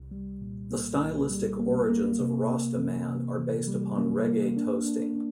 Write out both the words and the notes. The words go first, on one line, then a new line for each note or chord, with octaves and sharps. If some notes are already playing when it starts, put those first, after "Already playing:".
The stylistic origins of "Rosta Man" are based upon reggae toasting.
Already playing: C2
G3
A#2
A#3
C2
G3
A#3
A#3
C3
A#3
E3
C3
E3
G3
A#3
A#3
D4
D4
D4